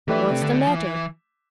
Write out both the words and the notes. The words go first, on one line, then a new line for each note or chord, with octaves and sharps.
What's the matter?'
E3 A3 D4 G4 B4 E5
C3
D3
F3
E3